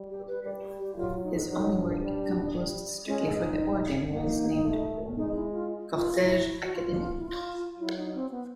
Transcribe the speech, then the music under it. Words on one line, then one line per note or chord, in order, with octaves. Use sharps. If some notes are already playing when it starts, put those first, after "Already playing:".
His only work composed strictly for the organ was named "Cortege academique".
Already playing: G3
G4
B4
G3 D5
G4
F#3 F4
D#4
F#3 D#4
D4
G3
G3
G#3 C#4
D#4
D#4
A#3 D#4
A3
G#3 D#4
E4
F4
F4
E4
F#4
F4
E4
F4
F#3 E4
D#4
C4
B3